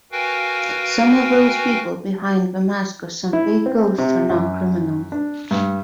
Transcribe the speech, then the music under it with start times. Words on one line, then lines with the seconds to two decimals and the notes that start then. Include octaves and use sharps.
Some of those people behind the mask of some fake ghosts are not criminals.
0.12 F#4 A#4 B4 F5 G5 G#5
3.33 E4
3.66 C4
3.98 C3
4.29 F#2
5.12 D4
5.51 G2